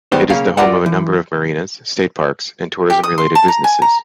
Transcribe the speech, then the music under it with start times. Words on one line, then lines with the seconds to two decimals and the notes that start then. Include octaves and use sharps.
It is the home of a number of marinas, state parks and tourism-related businesses.
0.12 G#2 D#3 G3 B3 G4 C5
0.30 B1 C#3 A#3 C#4 F5
0.57 F4 G4 A#4 D5 E5 F#5
0.86 E3
2.90 G4
3.03 D#6
3.18 C6
3.35 A5
3.48 A#5
3.64 G#5
3.82 A#5